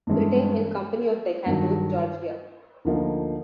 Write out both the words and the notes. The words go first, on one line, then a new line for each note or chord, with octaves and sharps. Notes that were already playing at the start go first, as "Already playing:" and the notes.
Brittain and Company of Decatur, Georgia.
G2 E3 G#3 C#4 E4
G2 D#3 F#3
D2 D3 F3 A#3 D#4